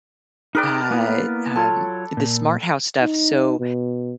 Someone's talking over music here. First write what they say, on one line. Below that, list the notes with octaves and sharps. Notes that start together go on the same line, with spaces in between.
uh, um, the smart house stuff, so
D#4 G#4 A#4 B4 D5 G5
A#3 B3 E4
F#3 F4 A4 C#5
A#2
D#4
B2